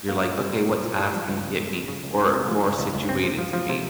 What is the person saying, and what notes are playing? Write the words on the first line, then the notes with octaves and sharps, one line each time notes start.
you're like, "Okay. What task can get me, or more situated to me
A#3
A#2
G3
A#2
C2
A#2
G3
F3
C#2
C4
C#2
C#3
C#3
C#2
C#3
C3
F3
C#2
C#2
C#2
C4
C3
F3
F3
C3